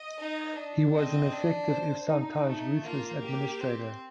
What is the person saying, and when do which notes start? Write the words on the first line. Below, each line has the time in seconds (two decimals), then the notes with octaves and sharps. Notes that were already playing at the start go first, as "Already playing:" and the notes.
He was an effective, if sometimes ruthless, administrator.
Already playing: D#5
0.18 D#4
0.56 D4
0.94 C4 D#5
1.32 D4
1.70 C5
2.08 D#4
2.45 A3
2.84 A#3 F4
3.22 G4
3.60 C4